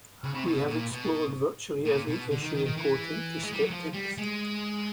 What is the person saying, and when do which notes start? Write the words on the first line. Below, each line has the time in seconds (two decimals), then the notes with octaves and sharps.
We have explored virtually every issue important to skeptics.
0.24 C#3
0.34 C3
0.46 B2
0.68 A#2
0.92 B2
1.86 A#2
2.08 B2
2.32 D3
2.43 D#3
2.55 D#3
2.66 D#3
2.77 E3
3.43 G#3
3.52 G3
3.62 F#3
3.70 F3
3.94 G3
4.18 G#3